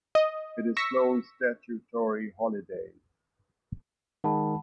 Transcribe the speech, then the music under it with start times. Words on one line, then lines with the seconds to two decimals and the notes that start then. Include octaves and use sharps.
It is closed statutory holidays.
0.15 D#5
0.77 C#6 E6 A#6 B6
4.24 D#3 G#3 F#5 A5 B5